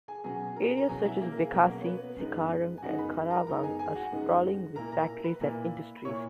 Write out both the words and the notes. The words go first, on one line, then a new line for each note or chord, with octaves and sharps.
Areas such as Bekasi, Cikarang and Karawang are sprawling with factories and industries.
G#4 G#5
B2 F#3 C#4 G#4 G#5
A#4 A#5
A#5
B2 F#3 C#4 G#4 G#5
E4 E5
A#3 A#4
A#4
G#4
B2 F#3 A#3 C#4 A#4
C#5
B3 B4
F#2 C#3 G#3 B3 D#4
G#5
F#2 C#3 G#3 B3 D#4 F#4 F#5
B4 B5
A#4 A#5
F#2 C#3 G#3 B3 D#4 A#4 A#5
G#4 G#5
G#4 G#5
F#4 F#5
F#2 C#3 G#3 B3 D#4
A#2 A#3 E4 A#4 A#5
A#4 A#5
A#4 A#5
B4 B5
A#2 A#3 E4
B5
A#2 A#3 E4 C#5 C#6